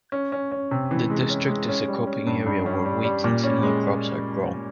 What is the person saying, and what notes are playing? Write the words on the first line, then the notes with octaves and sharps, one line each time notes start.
The district is a cropping area where wheat and similar crops are grown.
C#4
C#4
C#4
C3
E3
G#3
C#4
G#3
C#4
G3
C#4
G2
G2
C#4
G3
G3
A#2
C#4
G#3